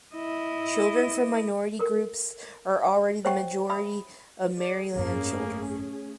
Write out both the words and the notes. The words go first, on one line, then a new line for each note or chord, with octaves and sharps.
Children from minority groups are already the majority of Maryland children.
E4 D#5
A4 A#4
C5 C#5 E5 F#5 G5 C#6
E5 B5 D#6
G#4 D5
G#1 F#2 A3 A#3 C#4